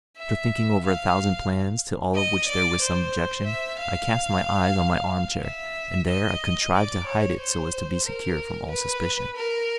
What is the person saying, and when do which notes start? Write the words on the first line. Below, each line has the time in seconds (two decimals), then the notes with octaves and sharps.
After thinking over a thousand plans, to all of which there was some objection, I cast my eyes on my arm-chair, and there I contrived to hide it so as to be secure from all suspicion.
0.18 E5
0.83 F5
2.15 D#5
2.49 D5
2.81 C5
3.46 E5
3.79 F5
5.43 E5
6.08 D#5
6.75 D5
7.07 C#5
7.39 C5
8.06 A#4
8.70 B4
9.37 A#4